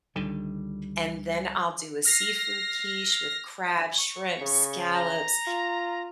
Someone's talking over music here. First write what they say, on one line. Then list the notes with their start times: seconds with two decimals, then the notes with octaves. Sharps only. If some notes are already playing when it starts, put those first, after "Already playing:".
And then I'll do a seafood quiche with crab, shrimp, scallops.
0.16 C#2 D3 D#3 G3
2.05 F6 A#6 C7
3.98 C#6
4.41 C#3
4.93 A#5
5.47 F4